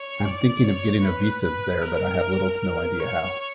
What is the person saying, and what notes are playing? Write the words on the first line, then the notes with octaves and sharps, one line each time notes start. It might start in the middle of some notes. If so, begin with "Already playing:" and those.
I'm thinking of getting a visa there but I have little to no idea how.
Already playing: C#5
D5
C#5
B4
B4
A#4
A#4
C#5